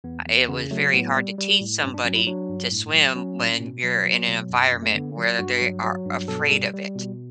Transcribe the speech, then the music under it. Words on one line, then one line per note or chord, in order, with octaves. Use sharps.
it was very hard to teach somebody to swim when you're in an environment where they are afraid of it,
E2 B3
E2
C#3 B3
F#3 A3
A2 B3
G3
G3
A2
G2 C#4
D4
F#3 C#4
E4
F#3 D4
G2
A2
F#3
F#3 C#4
A2
B2
F#3
F#3
B2
F#2
F#2
A3
D3 B3
F#3
G2 F#4
F#3
F#3
G2
B2 A4
G3
G3
B2